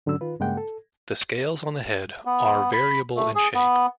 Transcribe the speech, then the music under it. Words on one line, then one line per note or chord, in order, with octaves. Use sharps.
The scales on the head are variable in shape.
G#2 D3 F#3 C#4 E6
D#3 F4 B4
G2 C#3 G#3 A#3 F#5 G5
A4
B3
B5
A3
G#4
B3